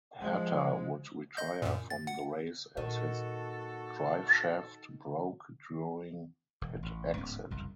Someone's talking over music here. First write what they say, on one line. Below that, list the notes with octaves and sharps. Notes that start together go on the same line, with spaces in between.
Herta would retire from the race as his driveshaft broke during pit exit.
F3 G#3
D#5 G6
F#2 A#2
A6
F#5
A#2 D#3 F#4 A4
E1
A1
D1 G#2 B3 C#4
F#1 C2 F2